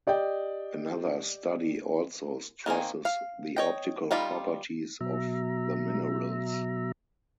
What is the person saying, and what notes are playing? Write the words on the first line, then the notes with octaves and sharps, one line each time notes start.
Another study also stresses the optical properties of the minerals.
G4 D5 D#5 G5
D#3 A#3 C4 G#5
F5
C#5 D#5 G5
G3 D#4 F4 D5 B5
B2 F#3 E5 A#5